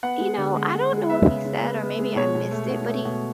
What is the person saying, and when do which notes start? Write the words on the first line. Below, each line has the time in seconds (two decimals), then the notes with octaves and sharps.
you know, I don't know if he said, or maybe I missed it, but he
0.03 B3 F#5
0.20 G#3
0.38 D3
0.56 G#3
0.74 G#3
0.92 G#3
1.10 B3 E5
1.28 C#3
1.45 C#3
1.63 B3
1.82 B3
1.99 G#3
2.16 B2 C#5
2.35 B2
2.52 A3
2.70 B2
2.88 A3
3.05 B2